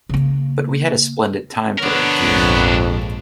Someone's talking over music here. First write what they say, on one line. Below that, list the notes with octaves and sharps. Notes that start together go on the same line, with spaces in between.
But we had a splendid time today, Kim.
C#3 A#3
D3 B3 D4 A#4 C#5
A#1 F2 G#2